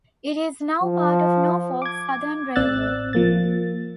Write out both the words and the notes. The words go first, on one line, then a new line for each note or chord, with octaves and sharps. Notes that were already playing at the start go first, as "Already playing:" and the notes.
It is now part of Norfolk Southern Railway.
F3
D6 G#6
A1 C4 D5 E6 F#6 A6
F3 A#3 A6